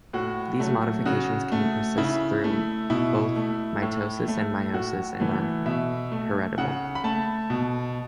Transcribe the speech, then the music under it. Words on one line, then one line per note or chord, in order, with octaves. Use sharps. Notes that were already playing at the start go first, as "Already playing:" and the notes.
These modifications can persist through both mitosis and meiosis and are heritable.
A2 F#4
F#3 A3
C#3 F#4
A3
C#3 E4
A3
B2 E4
A3
A2
A3
A2 F#4
E3 A3
B2 E5
A3
C#3 F#5
B5
A3 A5
B2